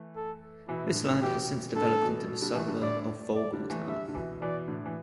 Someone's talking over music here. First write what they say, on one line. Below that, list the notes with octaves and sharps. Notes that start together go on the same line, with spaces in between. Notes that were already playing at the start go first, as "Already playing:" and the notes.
This land has since developed into the suburb of Vogeltown.
Already playing: E3 A3
A4
B2 E3 E4
A2 D3
A2 D3
B2 E3 G4
A2 D3 A4
B2 E3
B2
D3 G3
E3 A3
D3 G3
A2 D3 D5
D5
D3 G3
E3 A3
D3 G3 E5
D3
B2 E3
B2 E3 D5
A2 D3
E3